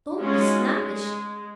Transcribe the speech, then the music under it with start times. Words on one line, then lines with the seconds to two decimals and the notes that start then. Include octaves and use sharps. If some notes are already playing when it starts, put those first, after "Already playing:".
Don't be snappish.
0.20 G#3 C#4 D#4 F4 F#4
0.68 G#3